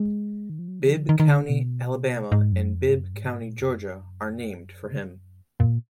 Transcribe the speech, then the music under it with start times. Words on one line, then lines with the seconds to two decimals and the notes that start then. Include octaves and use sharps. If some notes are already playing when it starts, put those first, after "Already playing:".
Bibb County, Alabama, and Bibb County, Georgia, are named for him.
Already playing: G#3
0.50 D#3
0.59 F3
0.68 F#3
0.80 D#3
0.88 F3
1.09 D#3
1.20 D#3
1.29 D3
1.49 B2
2.32 G#2
2.52 F#2
2.73 F2
2.89 G#2
2.94 F#2
3.14 G#2
3.42 A#2
3.60 F2
3.69 F#2
5.60 A#2